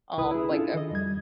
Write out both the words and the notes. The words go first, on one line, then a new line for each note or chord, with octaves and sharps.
um, like,
C2 E4 B4 B5 D#6
E4 G#4
C#4 D4 E4 F4 G#4 A4
D#3 D#5
F2 G3 G#6